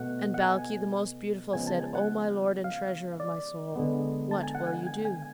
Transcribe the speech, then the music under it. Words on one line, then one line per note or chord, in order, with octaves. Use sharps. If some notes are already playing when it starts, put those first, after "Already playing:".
And Balkis the Most Beautiful said, 'O my Lord and Treasure of my Soul, what will you do?'
Already playing: B2 A3 F#5
F#5
G#5
C#3 F3 G#3 B3 G#5
A5
G#5
F#5
F5
D5
D3 G#3 B3
A5
G#5
F#5
G#5
G#5
G#5